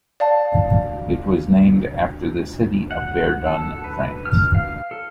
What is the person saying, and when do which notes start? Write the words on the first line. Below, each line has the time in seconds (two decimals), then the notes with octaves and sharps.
It was named after the city of Verdun, France.
0.20 D5 F5 A5
2.91 F#5
3.47 A4
3.84 B4
4.25 F6
4.55 F5
4.91 A4